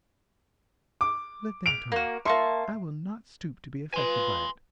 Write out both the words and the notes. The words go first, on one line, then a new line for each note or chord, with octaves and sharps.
Let them talk--I will not stoop to be affected by it.
D6
D7 F7
A#3 F#4
A#3 E5 A5 C6 C#6
F4 B4 G#5 C6